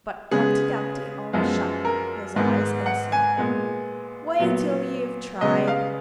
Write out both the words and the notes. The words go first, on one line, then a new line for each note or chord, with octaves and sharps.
But Humpty Dumpty only shut his eyes and said 'Wait till you've tried.'
C#3 G#3 B3 G#4
F#2 F3 G#3 B3
A#4
G#2 D#3 G#3 B3
F#5
G#5
A#2 G#3 B3
A#2 F#3 B3
C#3 G#3 B3 D#5
F5